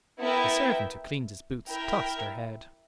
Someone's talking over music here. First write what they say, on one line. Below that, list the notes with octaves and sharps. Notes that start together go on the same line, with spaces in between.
The servant who cleaned his boots tossed her head.
B3 E4 A#4 E5 G5
E4 A#4 E5 G5